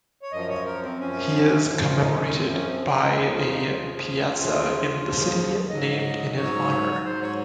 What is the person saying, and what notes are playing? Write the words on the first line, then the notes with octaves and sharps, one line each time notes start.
He is commemorated by a piazza in the city named in his honour.
C#5
F#2 F3 D#5
C#5
A#4
C4
F#2 F3 C#4
F#2 F3
F4
D#4
C#4
F#2 F3 C4
C#4
C4
C#4
D#2 C#3 F3 D#4
D#4
F4
D#4
D#2 C#3 F3 F4
D#2 C#3 F3
D#2 C#3 F3
G#2 F#3 D#5
G#2 F#3 C#5
G#2 F#3 C5
C#5